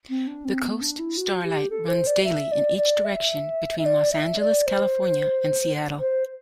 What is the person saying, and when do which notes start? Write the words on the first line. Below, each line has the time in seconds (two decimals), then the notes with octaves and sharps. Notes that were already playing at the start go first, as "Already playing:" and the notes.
The "Coast Starlight"runs daily in each direction between Los Angeles, California and Seattle.
0.09 C4
0.27 D4
0.45 C4
0.63 B3
0.81 D4
0.99 E4
1.17 F#4
1.43 G4
1.70 A4
1.88 C5
2.07 D5
2.24 E5
2.52 D5
2.78 D5
3.05 E5
3.79 E5
3.86 D5
4.13 E5
4.39 D5
4.67 C5
6.00 C5